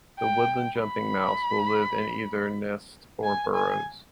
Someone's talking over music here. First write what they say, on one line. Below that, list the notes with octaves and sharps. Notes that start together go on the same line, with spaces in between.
The woodland jumping mouse will live in either nests or burrows.
G5
B5
G#5
G#5